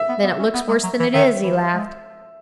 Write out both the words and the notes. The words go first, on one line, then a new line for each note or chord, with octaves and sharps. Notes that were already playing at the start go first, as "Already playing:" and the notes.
"Then it looks worse than it is," he laughed.
Already playing: E5
B3
B3
C#4
B3
G#3
F#3
E3
D#3 E5
E3
G#3